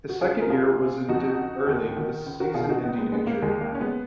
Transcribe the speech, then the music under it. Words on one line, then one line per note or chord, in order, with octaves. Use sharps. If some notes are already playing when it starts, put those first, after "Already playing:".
His second year was ended early with a season-ending injury.
F#4
C#3 F4 G#4
A#4
F#2 F4 G#4
C#3
F2 D#4 F#4
C#3
D#2
D#3
C#2
F#4 A#4
B2 F4 G#4
G#4
D#4 F#4
C#2 B3 D#4
G#3 B3
C#3 G#3 B3
A#3
D#2 G#3
A#3
C#3 C#4
G#3 B3